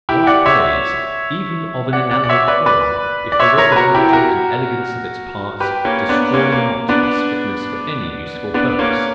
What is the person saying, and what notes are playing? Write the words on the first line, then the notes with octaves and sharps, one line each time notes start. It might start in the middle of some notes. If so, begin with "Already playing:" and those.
What praise, even of an inanimate form, if the regularity and elegance of its parts destroy not its fitness for any useful purpose!
E4 G4
D5 F#5
C#5 E5
D5 F#5
D5 F#5
D5
C#5 E5
B4 D5
B4 D5
D5
C#5 E5
A#4 C#5
B4
F#4 A#4
E4 G4
F#4 A#4
G4 B4
A#3 C#4
B3 D4
A#3 C#4
A#3
B3 D4
B3 D4
A#3 C#4